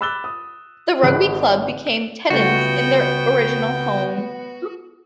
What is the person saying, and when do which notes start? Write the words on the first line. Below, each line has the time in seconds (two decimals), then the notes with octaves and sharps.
The rugby club became tenants in their original home.
0.01 B5 D6 E6 F#6 A6 G7
0.24 D#6
1.03 G#1 G#4 B5 F#6
1.87 D7
2.30 C#2 G3 A3 B3 F#4 G5